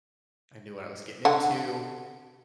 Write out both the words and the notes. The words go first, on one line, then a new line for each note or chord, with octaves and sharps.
I knew what I was getting into.
D3 F#5